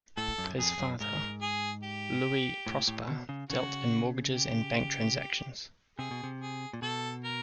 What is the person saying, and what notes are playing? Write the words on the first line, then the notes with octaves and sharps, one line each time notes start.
His father, Louis-Prosper, dealt in mortgages and bank transactions.
A2 A4
F#2
F2 G#4
F#2
G#2 A#4
G#4
G4
A2
A2
B2
C#3
C#3 F#4
G4
C3 G#4
B2
C3
G#4
A#2
B2 A4
A#4